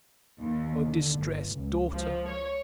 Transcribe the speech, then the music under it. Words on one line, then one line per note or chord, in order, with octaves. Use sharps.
Your distressed DAUGHTER.
D#2
D3
G1
C#2
F3
C#5